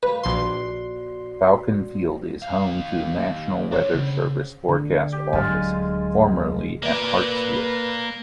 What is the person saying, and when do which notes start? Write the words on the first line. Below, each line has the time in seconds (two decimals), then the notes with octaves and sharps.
Falcon Field is home to the National Weather Service forecast office, formerly at Hartsfield.
0.03 B4 F5
0.23 A#1 F#4 C5 D5 C6
2.42 D#2 F5
3.72 D4 C5 C#5
3.94 C#3
4.69 D3
5.12 G4
5.33 D1 F#3 G#3 F4
6.82 A#3 B4 D5